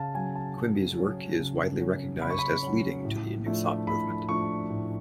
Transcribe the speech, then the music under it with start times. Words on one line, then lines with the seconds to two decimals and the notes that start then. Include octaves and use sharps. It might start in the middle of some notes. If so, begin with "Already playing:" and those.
Quimby's work is widely recognized as leading to the New Thought movement.
Already playing: C#3 F5 A5
0.15 F#3 C#4 G#5
0.35 A5
0.56 C#3
0.98 F#3 C#4
1.39 C#3
1.80 F#3 C#4
2.21 C#3 B5
2.30 C#6
2.39 B5
2.63 F#3 C#4
3.05 A2
3.46 F3 A3 D4
3.87 A2 B5
4.28 F3 A3 D4 C#6
4.70 A2